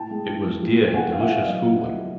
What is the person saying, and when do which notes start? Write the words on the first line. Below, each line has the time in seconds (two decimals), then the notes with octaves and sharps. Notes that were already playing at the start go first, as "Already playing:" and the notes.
It was dear, delicious fooling.
Already playing: A2 G5 A5
0.11 G#3
0.27 A2
0.44 F3
0.61 F3
0.78 A2
0.88 G5
0.94 C#3 F#5 G#5
1.12 E2 F5
1.20 E5 F#5
1.29 E2
1.45 F#3 D#5 F5
1.62 E2
1.79 F#3